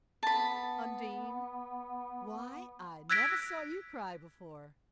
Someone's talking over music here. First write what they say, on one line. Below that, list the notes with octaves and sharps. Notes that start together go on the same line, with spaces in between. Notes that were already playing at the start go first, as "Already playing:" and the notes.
Undine--why, I never saw you cry before.
B3 A5 B5
E6 F#6 G#6 A#6 B6 D7